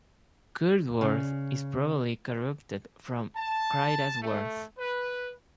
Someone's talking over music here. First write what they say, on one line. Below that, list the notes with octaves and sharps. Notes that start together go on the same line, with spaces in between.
Curdworth is probably corrupted from Crida's Worth.
C#3
A5
A3
B4